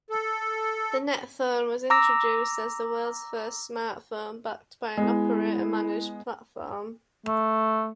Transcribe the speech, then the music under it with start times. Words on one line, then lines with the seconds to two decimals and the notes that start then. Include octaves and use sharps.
The Netphone was introduced as the world's first smartphone backed by an operator-managed platform.
0.10 A4
1.90 A#5 D6 E6 A#6
4.97 G#3 B3 E4
7.26 A3